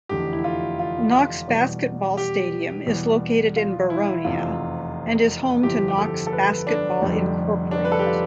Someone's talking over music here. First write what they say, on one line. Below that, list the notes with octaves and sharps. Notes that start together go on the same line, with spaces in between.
Knox Basketball Stadium is located in Boronia and is home to Knox Basketball Incorporated.
F1 E2 D3 G4
E4
F4
F4
E2 B2 G3
G4
E2 B2 G3
F4
E4
F1 E2 C3 F4
G1 F2 E3 G4
G4
A4
A4
B4
D4
F1 F2 D3 G3
D4
B4
A4
G4
F4